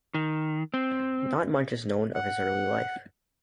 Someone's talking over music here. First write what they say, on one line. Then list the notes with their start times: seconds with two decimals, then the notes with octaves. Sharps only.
Not much is known of his early life.
0.14 D#3
0.74 C4
2.15 F#5